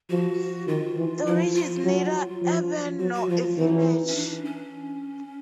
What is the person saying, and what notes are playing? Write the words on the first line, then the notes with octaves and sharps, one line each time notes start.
Dorridge is neither urban nor a village.
F3 F#4
D#3 F4
E3
F3 E4
F4
F#3
F3
F#3 F#4
F#4
F3 F4
E3 D#4
C#4
D4
C#4